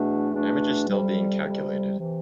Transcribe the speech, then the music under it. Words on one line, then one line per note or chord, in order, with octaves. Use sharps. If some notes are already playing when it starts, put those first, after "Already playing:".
Damage is still being calculated.
Already playing: E2 B2 A3 D4
E2 B2 A3 D4
F2 C3 G3
F2 C3 G3
C3 E3